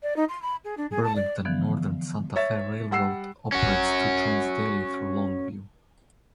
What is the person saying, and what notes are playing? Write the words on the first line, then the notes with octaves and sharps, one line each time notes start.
Burlington Northern Santa Fe Railroad operates two trains daily through Longview.
D5
D#4
C6
B5
G#4
D4
G#4
A5
D5
D3 E3 F3 B3
C#5 E5 A6
G3 F#5 E6 C7
C#4 F#4